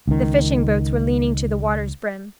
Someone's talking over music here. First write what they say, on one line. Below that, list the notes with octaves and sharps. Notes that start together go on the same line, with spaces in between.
The fishing-boats were leaning to the water's brim.
C#2 D#3